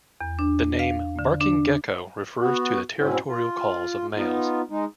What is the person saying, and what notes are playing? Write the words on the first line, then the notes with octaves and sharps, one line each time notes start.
The name "Barking gecko" refers to the territorial calls of males.
E2
D4
F5
D3
D4
B3 F#4
G#2 B2 C4 C#4 E4
F4
B3 D#4 F4
G#3 D#4